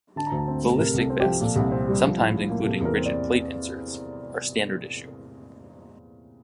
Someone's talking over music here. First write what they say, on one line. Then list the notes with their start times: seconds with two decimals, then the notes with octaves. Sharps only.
Ballistic vests, sometimes including rigid plate inserts, are standard issue.
0.16 D3 A5
0.27 D2 A#5
0.37 A5
0.48 C4
0.63 A3
0.79 C3 A#4
0.94 C2
0.99 A4
1.10 C4
1.20 F3 G4
1.41 A#2 A4
1.56 C2
1.71 C4
1.88 G3
2.03 F3
2.18 A2
2.34 A2
2.50 A#3
2.65 C3 A4
2.80 E2 A#4
2.96 C4
3.06 D5